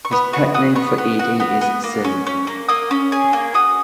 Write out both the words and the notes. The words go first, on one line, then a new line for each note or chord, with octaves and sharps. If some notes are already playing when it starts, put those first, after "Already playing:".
His pet name for Edie is "Silly".
C#6
B3 B5
F#4 C#6
F#4 D#6
B3 C#6
B3
F#4
B3
B3
A#3
C#4
C#4
A#3
A#3 D#6
C#4
G#4
A#3
F#4 D#6